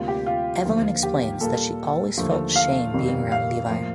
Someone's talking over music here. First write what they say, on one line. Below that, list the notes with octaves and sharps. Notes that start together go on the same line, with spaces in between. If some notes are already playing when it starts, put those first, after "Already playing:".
Evelyn explains that she always felt shame being around Levi.
Already playing: D2 C3 G3 A#3 F4
G4
F4
D#2 D3 F3 A#3
G4
A#2 G3 A#3 A4
D#2 D3 F3 A3
F5
F2 C3 D#3 G3 A#3
F5
A2 F3 A#3